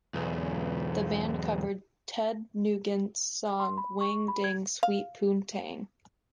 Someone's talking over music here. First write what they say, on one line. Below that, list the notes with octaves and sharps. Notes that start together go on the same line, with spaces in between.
The band covered Ted Nugent's song "Wang Dang Sweet Poontang".
B1 E2
C6
B5
C#6
B5
G#6
F5